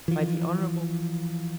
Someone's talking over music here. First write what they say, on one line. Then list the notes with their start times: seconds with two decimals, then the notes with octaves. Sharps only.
By the Hon.
0.08 E3 F3